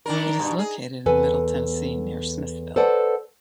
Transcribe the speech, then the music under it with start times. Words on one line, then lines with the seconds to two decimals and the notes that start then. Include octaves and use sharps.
It is located in Middle Tennessee near Smithville.
0.06 D#3 D4 A#4
0.39 G2 B2
0.59 G#4
1.06 E2 A4 B4 G#5
2.76 A4 B4 C5 D5 F#5 A5